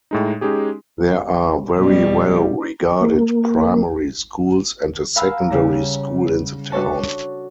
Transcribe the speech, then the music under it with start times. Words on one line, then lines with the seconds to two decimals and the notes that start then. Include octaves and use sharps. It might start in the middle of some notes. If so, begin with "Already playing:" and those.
There are very well regarded primary schools and a secondary school in the town.
0.11 A2 G#3 D#4
0.41 G#3 C#4 D#4 G4 G#4
1.78 B2 G3
3.01 A#3
5.16 F5 F#5 G#5 A#5 B5 E6
5.50 C#3 G3 A#5
6.72 D4 F#4 A4 C#5 A5